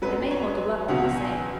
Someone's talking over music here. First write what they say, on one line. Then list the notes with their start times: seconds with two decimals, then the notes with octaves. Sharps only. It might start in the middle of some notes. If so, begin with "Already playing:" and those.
They may hold you up all the same.
0.02 F#2 F#3 B4
0.31 C#5
0.88 C#2 B2 F#3 F#5
1.17 G#5